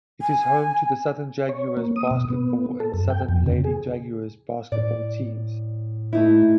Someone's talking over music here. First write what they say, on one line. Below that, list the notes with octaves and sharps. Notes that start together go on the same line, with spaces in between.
It is home to the Southern Jaguars basketball and Southern Lady Jaguars basketball teams.
G#5
C#5
A#3
D#6
B2
B3
A4
F#2
G5
F2
C#3
G#4
A2 D5
A3 D#4 E4